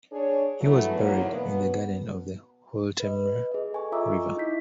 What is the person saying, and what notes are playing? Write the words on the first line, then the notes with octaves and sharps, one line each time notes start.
He was buried in his garden on the Holtemme river.
D4 G#4 C#5
E3 F#3 A3 B3
E2 G#2 F#3 A#3 B3
B2 B3
B4 D#5
G#4 D#5
A4 G#5 C#6
F4 D#5 E5 A#5 D6 E6
D#4 E4 G6 B6